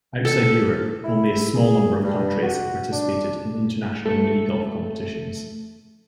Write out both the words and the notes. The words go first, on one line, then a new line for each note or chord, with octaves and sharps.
Outside Europe only a small number of countries have participated in international minigolf competitions.
A4
E4
G#4
G2
F#4
D4
A3 A4